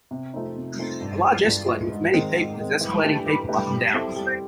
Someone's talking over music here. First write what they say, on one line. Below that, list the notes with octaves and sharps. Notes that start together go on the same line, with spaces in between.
A large escalator with many people is escalating people up and down.
C3
F3 A3 C4 D#4
C3
F3 A3 C4 D#4
G2
E3 G#3
G2
E3 G#3
G#2
D#3 G#3 C4
G#2
D#3 G#3 C4
E3
A3 D4 G4 B4
E3
A3 D4 G4 B4
G3
C4 E4 A4
G3